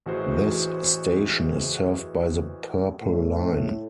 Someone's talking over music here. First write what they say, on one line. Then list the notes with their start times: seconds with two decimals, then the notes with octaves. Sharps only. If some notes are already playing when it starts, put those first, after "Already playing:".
This station is served by the Purple Line.
0.06 A1 E3 F#4 G#4 C5
3.02 A2